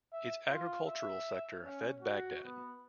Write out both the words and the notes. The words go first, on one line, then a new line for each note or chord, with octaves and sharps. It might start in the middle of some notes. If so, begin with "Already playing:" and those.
Its agricultural sector fed Baghdad.
E5
F4
E5
C#4
F#4
B3